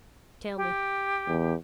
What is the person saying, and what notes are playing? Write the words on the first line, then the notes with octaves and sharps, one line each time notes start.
Tell me.
G4
E2